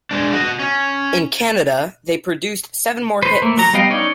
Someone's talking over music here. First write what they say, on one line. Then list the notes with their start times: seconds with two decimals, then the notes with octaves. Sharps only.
In Canada they produced seven more hits.
0.11 G#3 D4
0.33 F#4 D#5
0.60 C#4
3.22 B4 C5
3.42 A3 A#3
3.57 F#3 A#5
3.73 G3 B3 D#5 F5 G5
3.90 C#4 D#4 C#5 D5